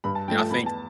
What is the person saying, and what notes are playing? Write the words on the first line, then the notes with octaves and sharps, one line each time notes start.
and I think,
G2 B5
A5
F3 A3 G5
A5
E2 B5
A5